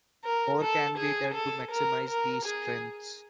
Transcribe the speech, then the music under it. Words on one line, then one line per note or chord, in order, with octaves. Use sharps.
More can be done to maximise these strengths.
A#4
A4
G#4
A4
A#4
A#4
G#4